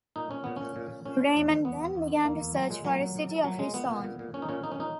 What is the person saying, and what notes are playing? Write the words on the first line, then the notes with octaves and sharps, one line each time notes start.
Raymond then began to search for a city of his own.
A#2 D#4
A#2 C#4
A#2 B3
A#2 C#4
A#2
A#2
A#2 C#4
A#2
E2
D#3
E2 B3
E2
E2
D#3
E2 A#3
E2
A#2 F#3
A#2 G#3
A#2 F#3
A#2
A#2
A#2
A#2 F#3
A#2 G#3
A#2 B3
A#2
A#2
A#2
A#2 C#4
D#4
A#2 C#4
A#2 D#4
C#4
A#2 D#4